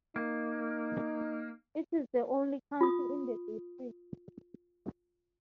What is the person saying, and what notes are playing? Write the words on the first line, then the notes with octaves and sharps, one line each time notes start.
It is the only county in the district.
A#3 D#4
F4 D#6